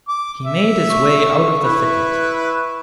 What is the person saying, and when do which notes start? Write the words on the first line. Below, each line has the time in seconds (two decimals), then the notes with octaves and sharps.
He made his way out of the thicket.
0.08 D6
0.45 E5
0.90 C#6
1.64 E4 B4